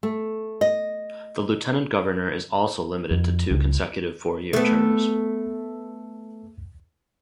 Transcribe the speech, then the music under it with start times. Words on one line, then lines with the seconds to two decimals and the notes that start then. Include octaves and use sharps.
The Lieutenant Governor is also limited to two consecutive four-year terms.
0.03 A3
0.61 D#5
3.11 F2
3.51 C#2
4.53 A3 B3